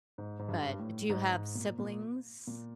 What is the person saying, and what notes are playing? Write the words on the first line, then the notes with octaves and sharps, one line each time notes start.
But, do you have siblings?
G#2
G#2
G2
A2
G#2
G#2
A#2
A#2
A#2